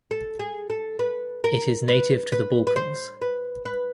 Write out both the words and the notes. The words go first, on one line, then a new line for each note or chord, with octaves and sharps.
It is native to the Balkans.
A4
G#4
A4
B4
A#4
B4
B4
B4
C5
B4
B4